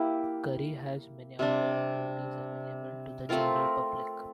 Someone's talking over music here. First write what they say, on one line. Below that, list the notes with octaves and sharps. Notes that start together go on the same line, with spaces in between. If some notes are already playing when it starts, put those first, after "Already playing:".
Currie has many outdoor activities available to the general public.
Already playing: A#3 E4 G4
C3 G3 D4
A3 C4 F4 A#4